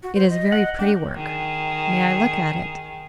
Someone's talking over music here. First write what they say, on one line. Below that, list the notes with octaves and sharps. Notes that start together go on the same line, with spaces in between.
"It is very pretty work--may I look at it?"
F#4
C5
D#5
F#5
D4 G5
D#3 G#4